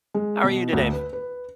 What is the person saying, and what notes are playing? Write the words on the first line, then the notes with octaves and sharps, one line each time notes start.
How are you today?
G#3
B2
D2
B4
B4